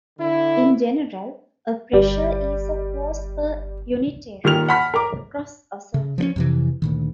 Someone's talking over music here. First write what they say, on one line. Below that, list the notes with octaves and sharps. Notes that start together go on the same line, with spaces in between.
In general, a pressure is a force per unit area, across a surface.
D3 E4
G1 G3
A#2 D#3 G4 F6 F7
F#5 A5 B5 F6 B6
A#4 D6
C#3
F3 B3 C#4
F2 C3 E3
D2 A#2 D#3